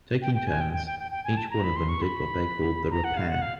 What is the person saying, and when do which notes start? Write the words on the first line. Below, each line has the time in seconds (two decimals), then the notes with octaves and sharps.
Taking turns, each one of them did what they called the repair.
0.22 G5
0.35 G5
0.47 G#5
0.61 G5
0.73 G5
0.87 G5
0.99 G5
1.11 G5
1.24 G#5
1.37 A5
1.50 A#5
1.64 B5
1.76 C6
1.89 C#6
2.02 B5
2.91 A#5
3.04 F#5
3.17 F5
3.29 F#5
3.42 F5